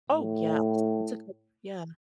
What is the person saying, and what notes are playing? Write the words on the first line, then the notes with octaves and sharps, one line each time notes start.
Oh, yeah. S It's okay. Yeah.
A2